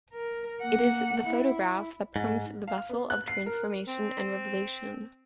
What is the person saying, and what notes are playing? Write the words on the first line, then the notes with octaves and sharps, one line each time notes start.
It is the photograph that becomes the vessel of transformation and revelation.
A#4
A#3 F#5
E4
G#2
F5
B3
F#6
C7
A#4
C4